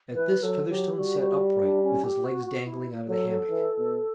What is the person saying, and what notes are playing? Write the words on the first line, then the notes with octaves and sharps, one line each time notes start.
At this Featherstone sat upright, with his legs dangling out of the hammock.
E3 B4
F#3 A4
F#3 G4
G3 F#4
F#4
D4
C#4
G4
F#4
F#4
E4
F#3 A4
A4
E3
B2